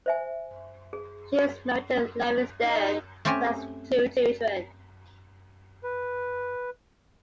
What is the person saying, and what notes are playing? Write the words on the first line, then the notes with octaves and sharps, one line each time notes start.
She is married to Larry Stern and has two children.
C5 E5 G#5
G#4
D#4
A3 C4 C#4 G4 G#5
B4